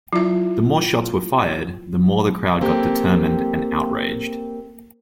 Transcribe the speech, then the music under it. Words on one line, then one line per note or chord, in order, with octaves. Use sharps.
The more shots were fired, the more the crowd got determined and outraged.
F#3 E4 F4 E5
A#3 C4 G4 A4